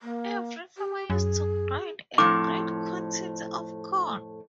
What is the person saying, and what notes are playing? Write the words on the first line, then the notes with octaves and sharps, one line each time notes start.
Every farmer used to grind a great quantity of corn.
A#3
G4
F#2 G#4
F2 A2 D6